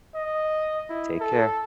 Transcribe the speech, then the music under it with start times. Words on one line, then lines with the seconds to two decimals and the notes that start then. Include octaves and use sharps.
Take care.
0.15 D#5
0.90 E4
1.21 A4